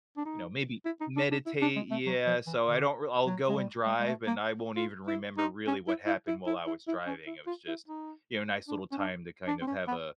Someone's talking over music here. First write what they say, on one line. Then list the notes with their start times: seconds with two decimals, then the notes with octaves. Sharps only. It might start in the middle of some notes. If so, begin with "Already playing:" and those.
you know, maybe meditate. Yeah, so I don't r I'll go and drive, and I won't even remember really what happened while I was driving, it was just, you know, nice little time to kind of have a
0.17 D4
0.26 D#4
0.85 E4
1.01 D#4
1.16 D4
1.31 D4
1.46 E4
1.61 D4
1.76 G#3
1.91 A3
2.06 F#3
2.26 F3
2.47 E3
2.66 D3
3.26 F#3
3.48 G#3
3.56 G3
3.86 G#3
4.00 G#3
4.07 A3
4.27 A#3
4.76 F4
5.07 E4
5.37 D#4
5.67 C#4
5.87 E4
6.06 E4
6.27 E4
6.47 E4
6.66 E4
6.87 E4
7.07 C#4
7.27 E4
7.47 F4
7.68 E4
7.88 D#4
8.68 D4
8.92 C#4
8.98 D4
9.48 D4
9.61 C4
9.67 C#4
9.88 B3